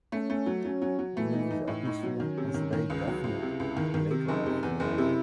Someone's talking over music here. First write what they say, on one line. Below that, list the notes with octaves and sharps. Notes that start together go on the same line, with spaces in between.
The movie's atmosphere has a very definite "Blade Runner" feel.
A3 C#4
A3
F#3
F#3 C#4
F#3
F#3
E3 A3
D#4
D#4
A2
D#4
F#3
D#3 C#4
C3
D#3
D#3
C#2
F#3
C#2 E4
C3
C#2
D#3
D#3
C3
F#1 D#4
C3
E2
F#1 E4
C3